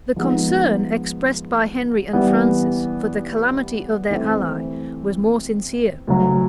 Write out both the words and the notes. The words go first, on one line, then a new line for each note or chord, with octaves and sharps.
The concern expressed by Henry and Francis for the calamity of their ally was more sincere.
F3 G#3 B3 D#4
E3 G3 B3
E3 A3 C4
D2 C#3 F#3